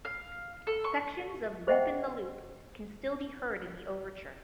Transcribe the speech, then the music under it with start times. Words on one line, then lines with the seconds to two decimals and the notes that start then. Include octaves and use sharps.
Sections of "Loopin' the Loop" can still be heard in the Overture.
0.05 F5
0.67 A4
0.84 C#6
1.67 G#4 C5 D#5 E5 F#5 G5